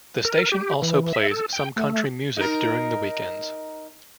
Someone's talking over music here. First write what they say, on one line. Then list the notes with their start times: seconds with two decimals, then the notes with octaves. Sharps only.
The station also plays some country music during the weekends.
0.25 A#4
0.52 G4
0.82 E3
1.13 E5
1.31 A4
1.53 G5
1.76 A3
2.37 D#4 A#4